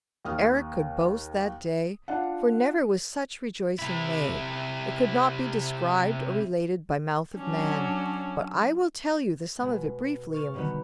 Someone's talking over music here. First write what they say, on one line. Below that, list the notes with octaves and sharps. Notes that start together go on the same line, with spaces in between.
Erec could boast that day, for never was such rejoicing made; it could not be described or related by mouth of man, but I will tell you the sum of it briefly and with few words.
D#2 D#6 F6
D4 F4 F#5
C3 E4
F#3 C#4 D4
B2 G#3
C#6 F6 A6
B2 D3 D#3 G3 B3